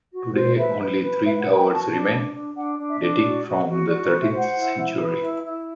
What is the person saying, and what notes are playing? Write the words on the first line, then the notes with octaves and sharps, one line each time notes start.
Today only three towers remain, dating from the thirteenth century.
F#4
C5
B4 E5
B4
B4
B4 E5
F#5
B4
G5
F#4 A5
D4 A5
D4
D4
D4 F#5
D4
E5
D4
F#4 D5
F#4
F#4
F#4 D5
D5
C5
E5
C5
F#5
E4
E4
B4
E4
E4